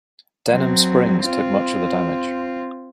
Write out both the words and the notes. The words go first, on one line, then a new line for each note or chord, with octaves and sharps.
Denham Springs took much of the damage.
F#3 C4
C4 F4